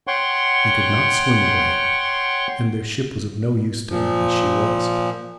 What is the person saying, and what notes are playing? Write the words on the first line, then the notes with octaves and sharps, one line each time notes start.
They could not swim away, and their ship was of no use to them as she was.
C#5 F#5 G5 C6 C#6
A#2 F3